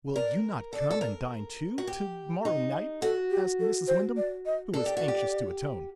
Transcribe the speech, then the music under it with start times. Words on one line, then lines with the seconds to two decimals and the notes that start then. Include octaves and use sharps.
"Will you not come and dine too, to-morrow night?" asked Mrs. Wyndham, who was anxious to atone.
0.15 A#4 D5
0.73 A4 D5
0.90 A4
1.01 A#4
1.78 F#4
1.87 G4
2.45 D#4
3.02 F#4 A4
3.30 G4
3.60 A4
3.88 C5
4.17 D5
4.46 D#5
4.74 A4 D5
4.86 G4
4.97 F#4
5.08 G4